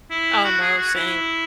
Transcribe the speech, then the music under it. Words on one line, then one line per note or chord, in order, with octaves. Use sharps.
Oh, no. Same.
E4
F#4
G#4
F#4
E4